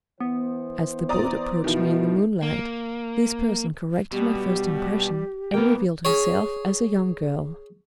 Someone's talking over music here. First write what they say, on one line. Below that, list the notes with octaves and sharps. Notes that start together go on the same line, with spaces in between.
As the boat approached me in the moonlight, this person corrected my first impression, and revealed herself as a young girl.
E3 B3 C5
D5 A#5 D#6
B2 D#3 F3 E4
A#3
B2 G3 G4
A#2 A#3 B3 A#4 G5
G#4 C#5